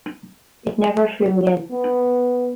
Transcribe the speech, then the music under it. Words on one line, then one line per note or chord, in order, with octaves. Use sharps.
It never flew again.
B3